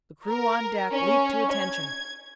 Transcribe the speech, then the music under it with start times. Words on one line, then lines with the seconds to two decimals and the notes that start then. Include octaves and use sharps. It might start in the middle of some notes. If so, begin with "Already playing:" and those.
The crew on deck leaped to attention.
0.28 A#4
0.92 C#4
1.52 G#6